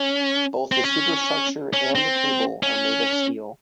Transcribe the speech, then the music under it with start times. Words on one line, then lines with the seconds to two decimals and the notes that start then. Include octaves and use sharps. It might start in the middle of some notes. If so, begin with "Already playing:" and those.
Both the superstructure and the cable are made of steel.
Already playing: C#4
0.72 C4
0.84 C#4
1.73 C#4
1.95 C4
2.63 C#4